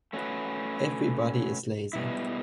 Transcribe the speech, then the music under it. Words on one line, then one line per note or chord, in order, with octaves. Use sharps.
Everybody is lazy!
A3 C#4 F#4 B4
B2 G3 B3 E4